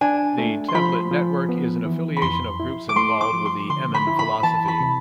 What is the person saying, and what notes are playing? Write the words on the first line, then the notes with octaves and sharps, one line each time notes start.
"The Template Network", is an affiliation of groups involved with the Emin philosophy.
D4 G#5
A3
C6
F3 B5
F3
B3
E3
B5
F2 C6
E4
D6
A3 C6
D6
F3
C6
D3 C6
B5
E4
B5
E3 A5
B5
C3